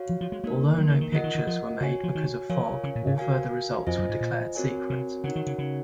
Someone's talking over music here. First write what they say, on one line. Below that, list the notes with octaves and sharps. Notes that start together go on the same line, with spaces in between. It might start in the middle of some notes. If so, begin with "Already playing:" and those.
Although no pictures were made because of fog, all further results were declared secret.
Already playing: F#4 C#5 F5
F3
F3
G#3
G#3 A#3 D#4 A#4
F#3
D#3
D#3
D#3 F4 A#4 D#5 F#5
D#3
D#3
F3
C#3 F#4 C#5 G#5
F3
D#3
F3 F4 A#4 C#5 F5 G#5
C#3
A#2
G#2
F#4 A#4 F5 G#5
F2 F4 C5 D#5 G#5
F#2
G#2
A#2
C4 F#4 A#4 C#5 G#5
C3
C#3 D#4 F#4 A#4 C#5 F#5
D#3
C#3
C#3